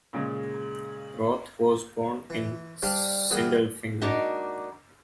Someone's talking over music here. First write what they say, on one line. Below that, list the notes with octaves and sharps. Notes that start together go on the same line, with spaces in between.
Roth was born in Sindelfingen.
A#2 C#3 G#3
E3
G3 D4 G4 C5 F5
E3 G3 B3 G#4 A#4
G#3 A#3 D4 D#4 F#4